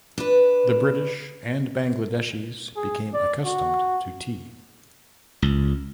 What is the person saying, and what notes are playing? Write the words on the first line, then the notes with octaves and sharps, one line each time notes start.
The British and Bangladeshis became accustomed to tea.
D4 B4
G#4
D5
F#4
C#2